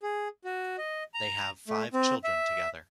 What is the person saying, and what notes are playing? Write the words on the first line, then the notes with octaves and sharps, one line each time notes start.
They have five children together.
G#4
F#4
D#5
A#5
A3
C4
E5